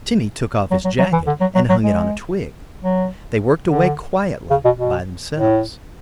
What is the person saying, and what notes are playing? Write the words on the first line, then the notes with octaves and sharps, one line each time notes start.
Timmy took off his jacket and hung it on a twig; they worked away quietly by themselves.
F#3
F#3
F#3
E3
D3
F#3
F#3
F#3
G#3
F#3
D3
C#3
B2
B2
A2